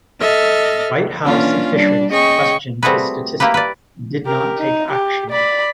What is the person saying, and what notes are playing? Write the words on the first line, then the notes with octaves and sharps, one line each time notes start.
White House officials questioned his statistics and did not take action.
A4 D#5 E5 F6 A6
E3 A#3 C#4 D4 F4
G3 D4
C#4 G#4 D#5 G5 C#6
G3 A3 C4 F#4 G#4 B4
A#3 E4 G4 B4
B4 D5
G4 A#4
D#4
G4
D5 B5